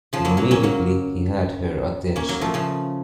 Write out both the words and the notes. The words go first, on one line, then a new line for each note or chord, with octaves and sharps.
Immediately he had her attention.
C#3 F3
F#3 A#3
F#3 A#3
A#3 C#4
F#3 A#3
A#3 C#4
F#3 A#3
F3 A3
C#3 F3